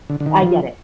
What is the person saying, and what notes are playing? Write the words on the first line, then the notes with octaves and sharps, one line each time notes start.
I get it.
D3
D3
D#3
F3